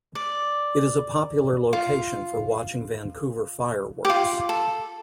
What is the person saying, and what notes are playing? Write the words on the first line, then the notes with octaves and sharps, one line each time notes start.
It is a popular location for watching Vancouver fireworks.
D5
F4
G4
F4
A4